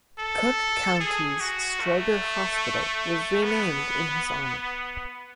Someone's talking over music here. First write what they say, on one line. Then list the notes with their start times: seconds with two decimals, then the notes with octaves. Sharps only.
Cook County's Stroger Hospital was renamed in his honor.
0.19 A4
1.00 G#4
1.40 F#4
1.81 A3
3.43 B3